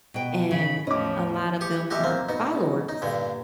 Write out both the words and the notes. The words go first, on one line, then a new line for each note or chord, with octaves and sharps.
and a lot of them are followers,
B2 G5
C#3 B5
E2 A2 F3 C#4 D#5 D6
G4 C#6 D#6
F#4 G4 D#5 E5
A#3 C4
B2 D#4
D#4
G2 A#2 D3